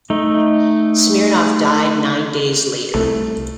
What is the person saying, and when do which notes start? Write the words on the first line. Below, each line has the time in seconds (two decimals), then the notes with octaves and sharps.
Smirnov died nine days later.
0.10 A3 D#4
2.94 C2 A3